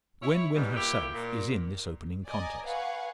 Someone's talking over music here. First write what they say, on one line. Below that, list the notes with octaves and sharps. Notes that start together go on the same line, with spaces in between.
Gwen Wynn herself is in this opening contest.
E4 C#5
G#2 B2 G3
A#2 E4 G4
A#2
D5 D#5 G#5 A#5
B4 F5 F#5 G#5 C#6